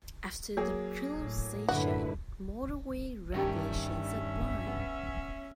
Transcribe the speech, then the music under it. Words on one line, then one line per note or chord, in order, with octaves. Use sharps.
After the toll station, motorway regulations apply.
F#3 A#3 G#4
A2
F#2 A2 D3 E4 F#4 B4
G2 D#3 C#4 G4 E5
B3